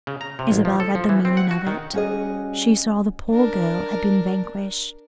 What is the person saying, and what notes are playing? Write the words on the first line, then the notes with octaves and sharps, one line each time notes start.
Isabel read the meaning of it; she saw the poor girl had been vanquished.
C#3
A#5
C3
A1
F3
A4
F3
E3
C4
F#5
F#4
D#3
G3 C#4 F#4 G#4 D#5
D4 A#4